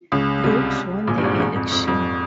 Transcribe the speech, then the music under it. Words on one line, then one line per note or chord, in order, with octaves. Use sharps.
Brooks won the election.
C#2 C#3
C2 C3
A#1 A#2
G2
G#1 G#2
G#1 G#2
F2
F2
F2